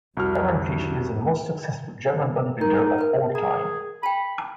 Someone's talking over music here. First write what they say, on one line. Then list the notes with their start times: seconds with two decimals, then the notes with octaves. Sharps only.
Currently she is the most successful German bodybuilder of all time.
0.17 C2 F2 F#4 F6
2.61 D#4 A#4
2.98 A#4 B4
3.35 G#4 A#5
4.03 G5 A5 B5